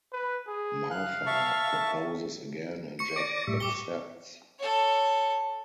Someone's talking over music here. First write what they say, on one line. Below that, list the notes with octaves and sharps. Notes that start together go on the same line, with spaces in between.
Martha proposes again and Jack accepts.
B4
G#4
F5 F#6
E5 A5 C#6
C#6 C#7
D5 D6 A#6
A2 G3 E5
G4 D6 G7
A4 C#5